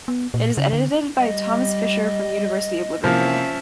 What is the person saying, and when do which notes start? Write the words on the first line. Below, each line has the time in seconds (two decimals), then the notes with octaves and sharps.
It is edited by Thomas Fischer from University of Liverpool.
0.08 B3
0.34 A#2
0.57 C#3
0.73 D3
1.18 G3 D#5
3.04 C3 E3 F3 A#3 C#4 E5 F5